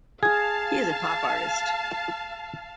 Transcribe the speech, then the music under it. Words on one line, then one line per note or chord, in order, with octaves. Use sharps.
He is a pop artist.
G#4 F5 A5 G#6